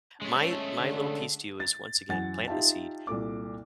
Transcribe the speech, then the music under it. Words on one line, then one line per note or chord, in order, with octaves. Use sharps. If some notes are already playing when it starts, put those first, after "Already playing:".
my my little piece to you is once again, planting the seed,
G#3 A3 C#4
D3
A6
F#2 E3 F#5 G#5 A6
D#4 F4 G4 E5 F5 A5
C2 A#2 A4 D6